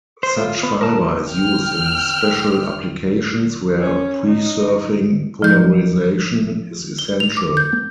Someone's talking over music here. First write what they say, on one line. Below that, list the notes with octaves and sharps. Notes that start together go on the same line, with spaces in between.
Such fiber is used in special applications where preserving polarization is essential.
C5
F4
B3
A#4 A5
G5 F6
C#4
D#4
F3 G6
G7
F7
D6
G6